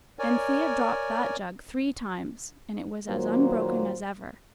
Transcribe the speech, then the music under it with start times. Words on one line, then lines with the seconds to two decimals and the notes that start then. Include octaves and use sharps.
Anthea dropped that jug three times, and it was as unbroken as ever.
0.19 A#4 C#5 D5 G#5
3.07 A#2 D#3 F#3 A#3 C5